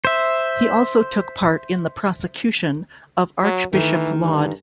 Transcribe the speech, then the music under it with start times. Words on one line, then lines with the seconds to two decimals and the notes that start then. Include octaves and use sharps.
He also took part in the prosecution of Archbishop Laud.
0.05 C5 E5
3.43 F#3
3.73 D#3 E3 A3
4.25 G2